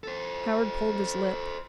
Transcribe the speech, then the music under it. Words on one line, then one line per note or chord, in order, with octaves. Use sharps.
Howard pulled his lip.
A4 C5